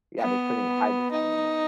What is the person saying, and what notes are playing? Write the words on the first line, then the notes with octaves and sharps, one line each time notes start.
Yeah, they couldn't hide this guy anymore.
B3
D#4